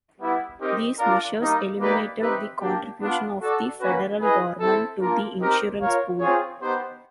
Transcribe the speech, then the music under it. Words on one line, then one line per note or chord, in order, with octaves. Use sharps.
These measures eliminated the contribution of the federal government to the insurance pool.
G3 B3 E4
C4 D#4 G4 A#4 D#5
D4 F4 A#4 D5 F5
G3 A#3 D#4
A#3 D#4 G4 B4 D5
C4 D#4 G4 B4 E5
A#3 D4 G4
B3 D4 F4
F#4 A4 D5
A#3 C#4 F#4 B4
E4 G#4 B4 D#5
C4 E4 A4
A#3 D4 F4 A#4
C4 D#4 G4 A#4
F4 A#4 C#5 F5
C4 F4 G#4 C#5
B3 D#4 G4 C5